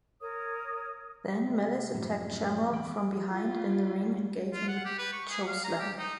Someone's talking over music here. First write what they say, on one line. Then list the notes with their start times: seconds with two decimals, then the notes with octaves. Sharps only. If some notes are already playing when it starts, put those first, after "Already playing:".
Then Malice attacked Shamrock from behind in the ring and gave him a chokeslam.
0.21 A#4 C#5 D#6
1.47 C3
1.95 F#2 A2 F3
2.72 E2 G5 B5
3.29 E4 F4
4.53 F4
4.68 F#5
4.85 G4
4.98 B4
5.13 C#6
5.29 G#4
5.47 F5
5.64 A#5
5.80 G4
5.98 D#4